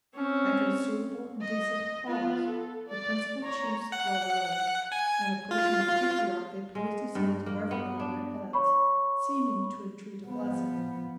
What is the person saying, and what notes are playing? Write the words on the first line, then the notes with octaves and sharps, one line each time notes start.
After a suitable and decent pause, the principal chiefs arose, and, approaching the patriarch, they placed his hands reverently on their heads, seeming to entreat a blessing.
C4 C#4
D#5
B3 F4
A4
D5
C#5 A#5
F#5
G#5
F4
G#3
G2
A#3
B3
D4
C#5 B5 C#6
F3 B3